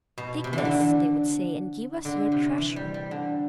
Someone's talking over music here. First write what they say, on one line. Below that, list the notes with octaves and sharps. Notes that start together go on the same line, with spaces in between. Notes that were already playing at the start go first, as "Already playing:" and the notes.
"Take this," they would say, "and give us your treasure."
B2
C3
D3 E3
E3
D3
D3
C3
E3
G3
G3
D3